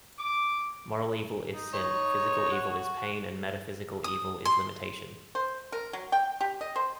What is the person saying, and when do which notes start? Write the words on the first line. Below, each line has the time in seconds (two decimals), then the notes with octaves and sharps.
Moral evil is sin, physical evil is pain, and metaphysical evil is limitation.
0.19 D6
1.53 D#4
1.74 D#4 C#5
2.51 F#4
4.04 D#6
4.45 C6
5.35 C5
5.72 A#4
5.93 F#3
6.12 G5
6.41 G4
6.61 D#5
6.76 C5